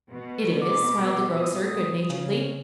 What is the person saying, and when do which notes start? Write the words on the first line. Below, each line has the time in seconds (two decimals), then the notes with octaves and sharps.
"It is," smiled the grocer, good-naturedly.
0.10 B2
0.62 D6
1.42 D#6
2.09 C#3